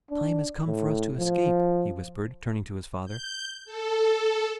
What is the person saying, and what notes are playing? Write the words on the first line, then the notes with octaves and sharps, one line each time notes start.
"The time has come for us to escape," he whispered, turning to his father.
D4
A2
F3
G6
A4